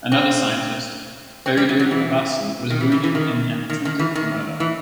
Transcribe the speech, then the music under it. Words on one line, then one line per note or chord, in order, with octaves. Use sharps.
Another scientist, Fereydoon Abbasi, was wounded in an attempted murder.
C4
C4
G3
F#3
F#3
E3
D#3
E3
E3
E3
D#3
D#3
D#3
E3
D#3
E3